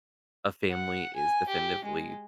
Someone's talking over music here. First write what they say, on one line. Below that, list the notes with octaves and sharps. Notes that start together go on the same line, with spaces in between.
a family is definitively
F#5
G#5
G4
G#3